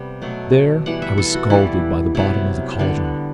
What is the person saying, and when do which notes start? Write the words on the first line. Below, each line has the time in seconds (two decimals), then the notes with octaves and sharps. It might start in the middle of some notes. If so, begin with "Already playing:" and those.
There I was scalded by the bottom of the caldron.
Already playing: C3 G3 B3
0.22 B2 F#3 A3
0.86 E3 G3 B3 F#5
1.02 E5
1.18 A4
1.35 F#4
1.50 E3 G3 B3 E4
2.15 C3 F#3 B3 E4
2.79 D3 G3 B3